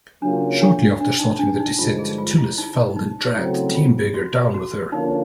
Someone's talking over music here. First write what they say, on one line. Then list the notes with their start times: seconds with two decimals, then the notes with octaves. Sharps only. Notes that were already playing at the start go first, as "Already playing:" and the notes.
Shortly after starting their descent, Tullis fell and dragged Diemberger down with her.
0.22 C#3 F#3 A#3 C#4 D4 F4
0.62 D4
1.01 D4
1.20 D#4
1.39 D4
1.60 D#4
1.79 G2 D3 F3 G#3 F4
1.98 G#4
2.18 F4
2.38 E4
2.58 D#4
2.96 D#4
3.36 C#3 F#3 A3 C4 E4
3.75 F4
4.14 F#4
4.54 F#4
4.92 D3 F3 A#3 C#4 D#4 F4